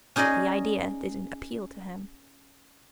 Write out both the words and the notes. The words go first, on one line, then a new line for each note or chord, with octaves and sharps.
The idea didn't appeal to him.
C#4 D#4 G#4 D5 D#5